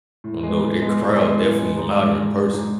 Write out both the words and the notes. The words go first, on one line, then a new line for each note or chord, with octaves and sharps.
I don't know, that crowd definitely louder in person.
A2
G#3 B3
A2
G#3 B3
A2
G#3 B3
A2
G#3 B3
G#2
G#3 D4
G#2
G#3 D4
G#2